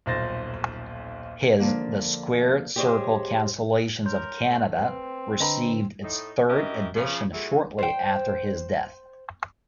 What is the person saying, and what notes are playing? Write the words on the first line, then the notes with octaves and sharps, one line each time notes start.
His "The Squared-Circle Cancellations of Canada" received its third edition shortly after his death.
D#1 B1 C5 A6 A#6
D3 F3 A#3
G4 G#4 C5 C#5 D#5
A#4 C#5 C6 G6
A3
C4 B4
D3 D4 B4 D#5 A#5 B5
A2 D#4
F#2 E4 G4 A#4 D#5
C#3 F3
A#2 E4 F#4 G#4 A4
C5 G5